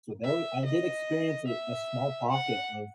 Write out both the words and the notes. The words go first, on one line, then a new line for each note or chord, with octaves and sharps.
So there w I did experience a small pocket of
E5
D#5
E5
F#5